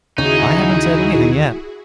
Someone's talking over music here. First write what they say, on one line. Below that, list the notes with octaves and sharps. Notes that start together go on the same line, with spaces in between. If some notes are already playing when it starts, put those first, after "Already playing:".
"I haven't said anything yet."
D#2 C#3 D#4 E4 F#4 G#4